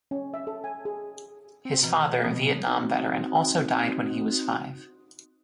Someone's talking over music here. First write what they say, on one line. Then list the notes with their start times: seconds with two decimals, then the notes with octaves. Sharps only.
His father, a Vietnam veteran, also died when he was five.
0.11 C#4
0.34 E5
0.47 A4
0.64 G#5
0.85 G#4
1.65 C4
1.83 B2 E3 F#4 A#5
2.24 F3 B3 C4
2.67 C4 D#4 F#4